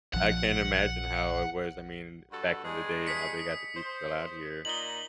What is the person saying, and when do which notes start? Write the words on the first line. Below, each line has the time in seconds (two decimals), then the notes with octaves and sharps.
I can't imagine how it was. I mean, back in the day, how they got the people out here,
0.14 A#1 F3 F#5
2.32 G2 F#4 A4
2.64 G2 G#3 G#5
3.07 D#6 B6 C#7
3.77 C5
4.65 A#2 D#4 F#7 G7